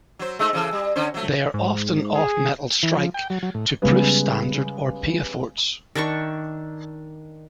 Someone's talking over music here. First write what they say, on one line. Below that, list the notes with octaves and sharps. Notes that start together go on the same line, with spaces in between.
They are often off-metal strike, to proof standard or piedforts.
F#3 C5
G#3 A3 D#4
C#3 E3 A4
G3
D3 C#4 C5
F#3 A3
G#2
G#4
E3
F3
G5
F#3
F#3
A2
C#3 G3 G#3 B3
D#3 D4 E5 C#6